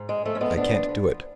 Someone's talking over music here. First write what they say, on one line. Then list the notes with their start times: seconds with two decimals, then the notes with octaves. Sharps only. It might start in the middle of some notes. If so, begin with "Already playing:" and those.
I can't do it.
Already playing: G#2
0.09 G#3
0.25 F3 A3
0.35 C#4
0.41 G#3 B3
0.57 F3 B3 D4
0.89 F3